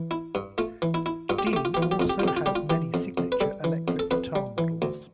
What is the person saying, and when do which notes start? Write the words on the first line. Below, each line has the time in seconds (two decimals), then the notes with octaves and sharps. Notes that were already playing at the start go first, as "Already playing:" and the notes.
Dean also has many signature electric guitar models.
Already playing: E3
0.11 E4
0.35 G2
0.58 A3 F4
0.82 E3
0.94 E4
1.06 E4
1.29 G2 F4
1.39 G4
1.47 F4
1.53 A3 G4
1.65 F4
1.74 E3 G4
1.82 F4
1.91 G4
2.00 F2 F4
2.10 G4
2.19 F4
2.23 F2 G4
2.37 F4
2.46 G3 G4
2.55 F4
2.70 E3 G4
2.94 F2
3.18 F2
3.32 B4
3.41 G3 A4
3.64 E3
3.88 F2
3.99 A4
4.11 F2 B4
4.35 G3
4.58 E3
4.82 D2